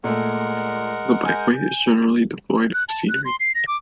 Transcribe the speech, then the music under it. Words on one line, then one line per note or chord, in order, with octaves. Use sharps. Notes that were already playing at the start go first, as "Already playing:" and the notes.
The bikeway is generally devoid of scenery.
A#2 G#3 A3 A#4 F#5
G#5 G6
F#6
A5
F#6
C6
C7
A#6
D6